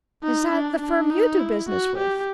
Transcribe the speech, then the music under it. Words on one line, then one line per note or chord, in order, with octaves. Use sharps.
"Is that the firm you do business with?"
D#4
D4
D4
D#4
E4
F#4
G4